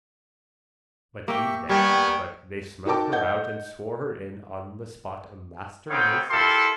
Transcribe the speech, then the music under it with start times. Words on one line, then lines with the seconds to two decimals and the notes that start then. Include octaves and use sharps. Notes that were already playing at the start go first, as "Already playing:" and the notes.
But be damned but they smelt her out and swore her in on the spot a master mason.
1.28 A#3 G4 E5 G5 C#6
1.69 G3 B3 A#4 G5 G#5 C#6
2.85 D#4 F#4 A#4 G5 A5 D6
3.12 D#5 F#5 G6
5.90 B3 C4 D#4 C#5 F5 G5
6.30 E4 F4 G4 A4 A#4 C6